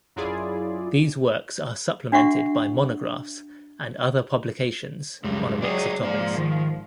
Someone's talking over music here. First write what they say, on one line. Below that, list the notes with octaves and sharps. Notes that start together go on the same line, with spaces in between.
These works are supplemented by monographs and other publications on a mix of topics.
F#2 F#3 E4 F4 G#4 D5
D4 F#4 E5 F#5 C#6
C#2 F#2 G3
F#3 G#4 D5 F#5 G5
G#2 F3 A#3 D5
D#3